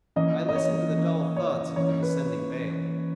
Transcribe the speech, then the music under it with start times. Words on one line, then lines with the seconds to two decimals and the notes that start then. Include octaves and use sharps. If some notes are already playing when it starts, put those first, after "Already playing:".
I listened to the dull thuds of the descending bale.
0.16 E3 A#3 C#4 D#5
0.49 D#5
0.55 C#5
0.96 E3 A#3 C#4
1.36 C#5
1.76 E3 A#3 C#4 C#5
2.03 B4